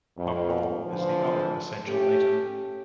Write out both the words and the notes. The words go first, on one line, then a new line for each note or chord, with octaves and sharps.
A ball is the other essential item.
F2
D3 E3 F3
A3 C#4 G4